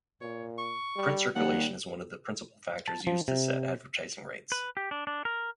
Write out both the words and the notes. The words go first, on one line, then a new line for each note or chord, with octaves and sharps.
Print circulation is one of the principal factors used to set advertising rates.
A#2 C#5
C#6
G3
D#2 G3 F#5
A5
F3
C3
B4
G4
D4
D4
A#4